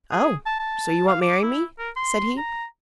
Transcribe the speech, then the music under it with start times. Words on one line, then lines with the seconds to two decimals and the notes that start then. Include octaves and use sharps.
'Oh! so you won't marry me?' said he.
0.12 G#4
0.46 A5
0.59 A5
1.08 F5
1.22 D6
1.43 E4
1.79 A#4
1.96 C6
2.38 A#5